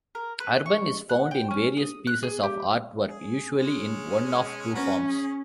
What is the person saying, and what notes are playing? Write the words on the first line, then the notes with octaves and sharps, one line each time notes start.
Urban is found in various pieces of artwork usually in one of two forms.
A#4
B4
C#6
F#5
G5
C#4
D#6
F#6
G#4
G4
G#4
G#3 C#4
C#4 F#4 A#4 B4
G#4